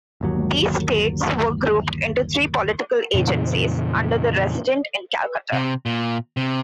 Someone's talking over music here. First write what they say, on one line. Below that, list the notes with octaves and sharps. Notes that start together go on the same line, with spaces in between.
These states were grouped into three political agencies, under the "Resident" in Calcutta.
G1 D#2 F#3
F2 A#2 C#3 E3
C3
A#2
C3